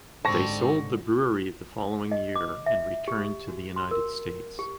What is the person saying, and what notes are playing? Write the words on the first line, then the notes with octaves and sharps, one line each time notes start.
They sold the brewery the following year and returned to the United States.
G#2 D3 G3 C4 A5 C#6 A#6
D#5
D6
E5
G4
F#4
C6
A#4
G4